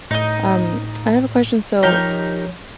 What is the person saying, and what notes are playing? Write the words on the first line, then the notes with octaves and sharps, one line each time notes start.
Um, I have a question. So,
A2 D#4 D#5
F3 D#4 G4 A#4 C#5